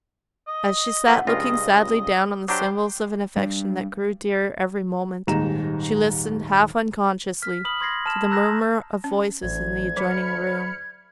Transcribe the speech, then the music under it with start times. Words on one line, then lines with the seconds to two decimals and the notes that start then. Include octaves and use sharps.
As she sat looking sadly down on the symbols of an affection that grew dearer every moment, she listened half unconsciously to the murmur of voices in the adjoining room.
0.48 D#5
1.08 F3 A3 B4 F#5
1.27 C#2 G2 F4 D#5 D#6 A#6
2.48 F#3 D4 G4 C5 G5 A#5 D6
3.36 G3 D4
5.27 D#1 D#2 G#2 D#4 A#5 E7
7.42 F6 B6
7.65 B5 D#6 F6 F#7
7.81 C6 G#6 A#6 C7
8.06 A5 F6 E7
8.31 A#5 E6 F#6 G6 A#6
9.04 C#4
9.42 A1 D2 G#6
9.96 F#3 C5 B5 F6 C#7